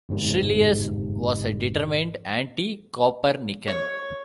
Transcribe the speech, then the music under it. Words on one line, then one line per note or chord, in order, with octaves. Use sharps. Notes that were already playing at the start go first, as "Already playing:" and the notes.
Schyrleus was a determined anticopernican.
G1 F2 G#2 C3
C#5